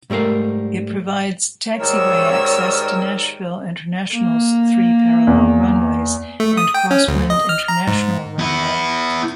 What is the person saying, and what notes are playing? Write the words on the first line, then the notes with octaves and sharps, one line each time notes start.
It provides taxiway access to Nashville International's three parallel runways and crosswind international runway.
G#2 G3 A3 A#4 F5
G#2 D#3 G3 A#4 C#5 E6
A#3
E2
A3
D#6
G5
C#4
D2
D#5
F6
A#5
G#2
B3 E4